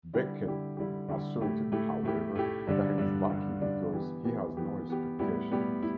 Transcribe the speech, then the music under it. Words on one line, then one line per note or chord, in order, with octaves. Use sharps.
Beckett asserted, however, that he is lucky because he has "no expectations".
D3 G3 E4 G4
D3 G3 E4 G4
D3 G3 E4 G4
D3 G3 E4 G4
A2 A3 E4 G4
A2 A3 E4 G4
A2 A3 E4 G4
A2 A3 E4 G4
G2 D3 G3 D4
G2 D3 G3 D4
G2 D3 G3 D4
G2 D3 G3 D4
E3 B3 G4
E3 B3 G4
E3 B3 G4
E3 B3 G4
A2 G3 B3 E4 G4
A2 G3 B3 E4 G4
E4